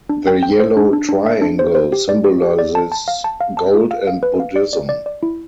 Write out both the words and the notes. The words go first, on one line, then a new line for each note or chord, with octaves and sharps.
The yellow triangle symbolizes gold and Buddhism.
D4
G5
G5
C5
D4
D4
D4
E5
D4
C5
C5
G4
D5
G4
G4
D5
A5
A5
F5
A5
F5
A5
F4
F5
F5
B4
F5
D5
D5
D5
D5
E4